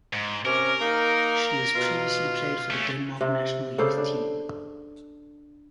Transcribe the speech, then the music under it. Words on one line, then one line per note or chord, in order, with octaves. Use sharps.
She has previously played for the Denmark national youth team.
G#2
C3 C#4 A#4
A#3 D#4
B2 F4
A3 C#4
C3
C#3 A4 C5 D5
D4